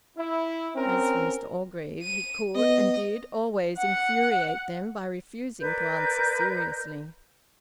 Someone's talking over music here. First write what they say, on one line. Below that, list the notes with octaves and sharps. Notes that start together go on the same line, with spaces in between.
As for Mr Orgreave, he could and did always infuriate them by refusing to answer seriously.
E4
C4 C#4 A#4
D#7
B3 D#5
F#5
A#4 B4 D5 G6